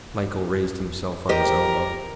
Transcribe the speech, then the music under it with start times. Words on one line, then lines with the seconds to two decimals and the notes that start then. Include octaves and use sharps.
Michael raised himself on his elbow.
1.29 G4 A#4 C5 D#5